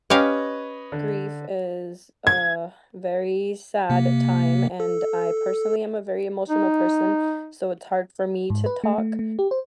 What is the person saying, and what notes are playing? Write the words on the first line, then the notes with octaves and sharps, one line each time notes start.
grief is a very sad time, and I personally am a very emotional person, so it's hard for me to talk,
C#4 G4 B4 C#5 D#5 F5
D3
G#6
C3 A#3
A4
D#4
G#2
B4
A3
A3
A3
G4
C5